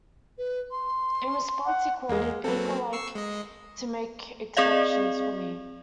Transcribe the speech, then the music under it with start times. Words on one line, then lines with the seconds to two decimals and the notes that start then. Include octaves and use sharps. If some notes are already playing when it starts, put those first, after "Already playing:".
In response, he quoted: People like to make exceptions for me.
0.38 B4
0.71 C6
1.66 F#5
2.09 E2 G#3 A#3
2.44 F#3 A#3 C4 A4 B4
2.93 C#6 E6 C7
3.15 G#3 D#5
4.57 C4 G#4 D5 D#5 F5